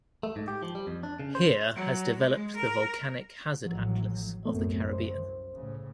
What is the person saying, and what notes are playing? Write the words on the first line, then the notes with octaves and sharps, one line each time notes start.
Here has developed the volcanic hazard atlas of the Caribbean.
A3
G#2
G4
F3
G3
F2
D4
C#3
C5
F#3
G#3
A#4
A1 A2 F3 F#3
C2 F#2 A3 B3 C4
C5
A2 C#3